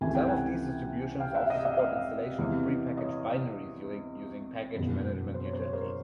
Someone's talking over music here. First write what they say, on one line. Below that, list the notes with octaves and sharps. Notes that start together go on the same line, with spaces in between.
Some of these distributions also support installation of pre-packaged binaries using package management utilities.
C#2 C3 E3 A3 G#5
G5
F#5 G#5
F5 G5
E5 F#5
D#5 F5
D5 E5
D#5 F5
E2 C3 E3
C#5 D#5
F#1 E2 B2
C5
C#5
C5
C#5
A#4 C5